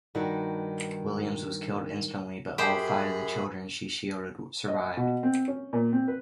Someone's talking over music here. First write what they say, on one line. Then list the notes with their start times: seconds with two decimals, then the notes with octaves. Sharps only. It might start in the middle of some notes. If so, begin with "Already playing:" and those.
Williams was killed instantly but all five of the children she shielded survived.
0.15 G2 D#3 D#4 F#4
2.58 F#2 G4 G#4 C5 B5
4.68 D#5
4.97 B2
5.23 C4
5.48 C#4
5.73 A#2
5.92 C4
6.08 B4